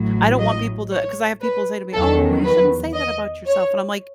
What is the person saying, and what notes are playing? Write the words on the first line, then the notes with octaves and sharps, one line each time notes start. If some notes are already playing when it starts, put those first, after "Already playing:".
I don't want people to 'cause I have people say to me, "Oh, you shouldn't say that about yourself," and I'm like,
Already playing: A1 A2 F#3
D#5
C#5
B4
E2 D#3 F#3 A4
B4
D#5
C#5